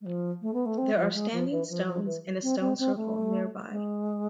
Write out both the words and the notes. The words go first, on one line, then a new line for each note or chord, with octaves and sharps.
There are standing stones and a stone circle nearby.
G#3
F3
A3
B3
A3
C4
F3
G#3
F3
E3
F3
F3
E3
C4
C4
C4
A3
G#3